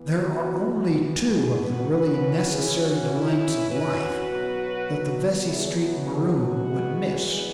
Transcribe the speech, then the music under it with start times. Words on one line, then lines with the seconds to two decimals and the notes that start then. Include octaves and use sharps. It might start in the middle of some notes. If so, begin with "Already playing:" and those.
There are only two of the really necessary delights of life that the Vesey Street maroon would miss.
Already playing: E3 B3
0.13 F#4
0.73 F#4
1.31 E4 G#4
1.61 F#4 B4
1.91 E3 C#4 F#4 B4
2.50 E4 G#4
2.80 F#4
3.10 E4
3.69 F#4 B4
4.28 B2 F#3 B3
5.47 E4 G#4
5.76 E4
6.06 E4 G#4
6.36 F#4
6.65 E3 G#3 B3